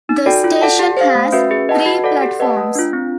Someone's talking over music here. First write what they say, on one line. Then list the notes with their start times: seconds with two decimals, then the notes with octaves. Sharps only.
The station has three platforms.
0.09 D#4
0.26 F#4 A4 D5 G5
0.44 F4
0.62 A4 D5 F#5 A5
0.79 G4
0.97 C5 F5
1.15 A3
1.33 C#4 F#4 B4 E5
1.51 G#4
1.69 B4 D#5 F#5 A5
1.86 F#4
2.04 A4 D5 F#5
2.21 G4
2.40 B4 D#5 F#5 A5
2.57 A3
2.75 D4 F4
2.93 C4